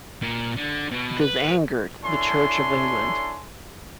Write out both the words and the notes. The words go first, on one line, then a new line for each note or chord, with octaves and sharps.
This angered the Church of England.
A#2
D3
B2
B4
D4 E4 A4 C#5 G#5 C6